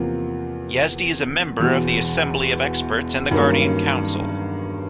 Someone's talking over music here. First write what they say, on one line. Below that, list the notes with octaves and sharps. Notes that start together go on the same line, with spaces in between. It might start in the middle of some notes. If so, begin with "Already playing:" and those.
Yazdi is a member of the Assembly of Experts and the Guardian Council.
Already playing: E2 C3 F3 A#3
E1 E2 B2
G2 D#3 F#3 A#3 C#4